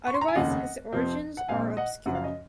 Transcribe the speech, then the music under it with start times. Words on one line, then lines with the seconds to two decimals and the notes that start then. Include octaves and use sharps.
Otherwise his origins are obscure.
0.07 C#6
0.14 C6
0.21 A#5
0.28 G#5
0.35 F1 D#2 C#3 D#5 F#5
0.93 F2 C3 F3 C4
1.37 F#5
1.48 A#1 A#2 G#3 C4 F5 G#5
1.77 D#5 F#5
2.06 F#2 C#3 F3 F#5
2.15 F5
2.24 D#5